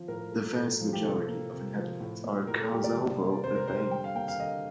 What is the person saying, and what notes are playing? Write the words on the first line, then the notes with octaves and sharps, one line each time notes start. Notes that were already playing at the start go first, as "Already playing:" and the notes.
The vast majority of the inhabitants are Kosovo Albanians.
Already playing: F3
A2 A#4
A3
A2
F3
G4
C3 A4
A#3
C3
F3
A2
A#3
A2 A#4
A4
G3 G4
D5
C3
A#3
C3 C5
A#4
G3 C5
C5
D3 G5
F5
A#3 G5
F5
D3 D#5